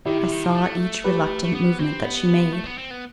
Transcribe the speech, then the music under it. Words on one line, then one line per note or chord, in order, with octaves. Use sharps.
I saw each reluctant movement that she made.
D#3 E4 G4
C3
D#3
C3
A3
G4 B4
A3
B3
C4
B3
A3
B3
C4
B3